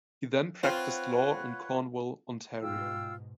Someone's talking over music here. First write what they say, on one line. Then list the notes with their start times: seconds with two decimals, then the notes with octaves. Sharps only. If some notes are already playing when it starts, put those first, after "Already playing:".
He then practiced law in Cornwall, Ontario.
0.63 C4 F4 B4 C#5 F#5
2.61 G#2 B2 F4 G5 E6